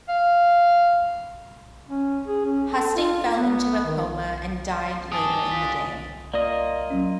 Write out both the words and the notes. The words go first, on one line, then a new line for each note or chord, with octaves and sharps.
Husting fell into a coma and died later in the day.
F5
C#4
G#4
C#4
A4
F4
B3
D#3
D4 G4 G#5 A5 D#6 A6 G7
F4 D#6 B6
A#3 F4 D5 D#5
F#3 C#4